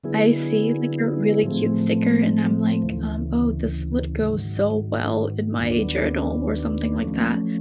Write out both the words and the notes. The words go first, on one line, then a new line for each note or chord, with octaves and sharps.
I see, like, a really cute sticker, and I'm like, um "Oh, this would go so well in my journal or something like that.
D3 F#3 B3 E4 G#4
A2 F3 A3 C4
D2 C#3 E3
G#2 D#3 F#3
D#2 D#3 F#3 B3 D4
F3 A3 C#4